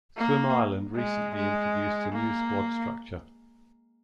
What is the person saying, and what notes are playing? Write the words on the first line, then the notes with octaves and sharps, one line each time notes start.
Swim Ireland recently introduced a new squad structure.
A#3
G#3
G#3
A#3